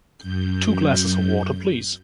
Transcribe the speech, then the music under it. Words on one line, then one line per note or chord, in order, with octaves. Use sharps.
Two glasses of water please.
F#2 G6